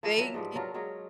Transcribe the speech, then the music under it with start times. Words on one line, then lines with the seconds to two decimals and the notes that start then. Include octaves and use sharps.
Thank you
0.03 F3 E4 A#4 D5
0.17 E3 F#3 E4 B4
0.34 G#2 F3 G3
0.56 F#3 D4 F4 A#4
0.74 F#3 G#3 C#4